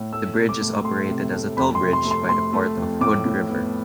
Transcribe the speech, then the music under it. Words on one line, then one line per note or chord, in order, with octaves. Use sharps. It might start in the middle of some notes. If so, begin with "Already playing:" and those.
The bridge is operated as a toll bridge by the Port of Hood River.
Already playing: A2
A3 E6
C3
D6
A3
A3 C6
C3
A3
F2 B5
C6
C3
C6
A3
C6
A3 C6
A3
F2
A2 D6
A2
B3